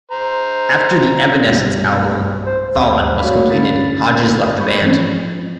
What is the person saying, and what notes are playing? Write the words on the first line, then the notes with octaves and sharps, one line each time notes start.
After the Evanescence album "Fallen" was completed, Hodges left the band.
C5 A#5
B1 G2 C3
C5
D#2 C4 D6
F#4 C#5 D5 F5 B5
D3 C#4 F5 B5 A6
B5 C#6 G6
E3 F#3 C4 C#4
F3